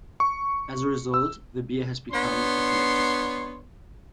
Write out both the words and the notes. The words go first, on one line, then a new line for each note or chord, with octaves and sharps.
As a result, the beer has become a collector's item.
C#6
E6
B3 D4 C#5 C6